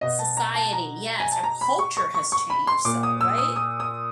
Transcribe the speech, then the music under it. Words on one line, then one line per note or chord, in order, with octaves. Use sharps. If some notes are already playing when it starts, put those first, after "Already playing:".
society Yes, our culture has changed, so right?
B2 D#5
A5
A#5
A5
A#5
G#5
A5
A#5
B5
C#6
C#6
C#6
C#6
B5
C6
A#2 D6
D#6
E6
D#6
D#6
D#6